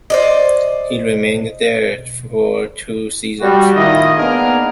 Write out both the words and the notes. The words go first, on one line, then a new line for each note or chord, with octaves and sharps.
He remained there for two seasons.
C5 D5 D#5
G3 F#4
A2 D#3 E4 F4 D#5
A#3 B3 D4 D#4 G#4 A#4